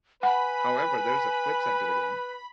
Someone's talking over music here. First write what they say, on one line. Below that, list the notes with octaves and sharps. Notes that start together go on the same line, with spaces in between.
However, there is a flip side to the game.
B4 F#5 G#5 B5